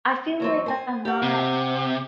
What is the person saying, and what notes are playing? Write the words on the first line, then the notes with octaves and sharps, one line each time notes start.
I feel like I'm not
E2 F#3 C4
C5 G#5
G4 F#5
C3